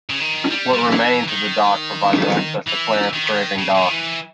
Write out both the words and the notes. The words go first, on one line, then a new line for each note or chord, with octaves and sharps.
What remains of the dock provides access to Clarence Graving Docks.
C#3
D#3
G3
G3
E3
D#3
E3
D#3
C#3
C#3
D#3
E3